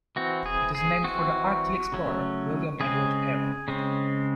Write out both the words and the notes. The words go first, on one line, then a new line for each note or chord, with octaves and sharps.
It is named for the Arctic explorer William Edward Parry.
E3 C4 F#4
G#4
G#4
E3 C4 F#4
C#3 F#3 A3 C#4
C#3 G#3 C4 G#4
C#3 G#3 C4